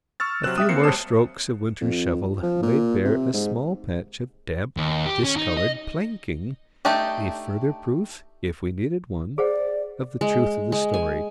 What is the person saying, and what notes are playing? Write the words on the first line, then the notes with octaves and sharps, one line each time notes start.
A few more strokes of Winter's shovel laid bare a small patch of damp discoloured planking, a further proof, if we needed one, of the truth of the story.
C#6 E6 F6 A6
C3 F#3 C4 E6 F#6 E7
G4 E5 G5 D#6 E7
A#3 C4 C7 C#7
G3 C5 C#5 A5 D#6 E7
F2
F3
A#2
C3
G#2
D#2
G4
C#4
D#4
D#5
A3 D4 D#4 G4
G#4 C5 D5 F#5
G#3
G#3
G#5